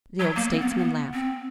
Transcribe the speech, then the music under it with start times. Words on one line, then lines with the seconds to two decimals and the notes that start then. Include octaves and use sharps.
The old statesman laughed.
0.20 F#3
0.36 A#3
0.51 C4
0.60 B3
0.69 A#3
0.77 B3
1.13 C4